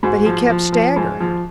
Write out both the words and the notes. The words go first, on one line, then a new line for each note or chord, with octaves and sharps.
But he kept staggerin'.
G#2 F#4
F3
F3
F3
G#2
F3